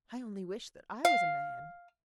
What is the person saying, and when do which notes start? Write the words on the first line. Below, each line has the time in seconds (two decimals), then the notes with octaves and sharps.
I only wish that I was a man!'
1.05 F5